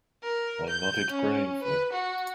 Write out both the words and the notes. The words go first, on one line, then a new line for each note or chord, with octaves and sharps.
I nodded gravely.
A#4
G6
C#4
B4
F#4